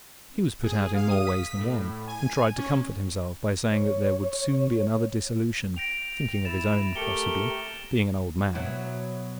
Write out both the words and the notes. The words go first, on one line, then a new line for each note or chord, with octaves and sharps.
He was put out in more ways than one, and tried to comfort himself by saying that there would soon be another dissolution--thinking of his own, possibly, being an old man.
G#4
F5
D#6
B6
A2
G#5
C#4
C#5
G5 A#6 D7 F7
E4 A6 E7
A3 G4 A#4 C#7 G7
B2 F#3 E4